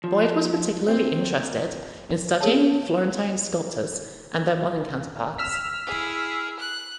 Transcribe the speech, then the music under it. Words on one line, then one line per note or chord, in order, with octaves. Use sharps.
Boyd was particularly interested in studying Florentine sculptors and their modern counterparts.
F3
C4
B3 G#4 C#5 A5
E6 F6 B6
E4 G#4
F#6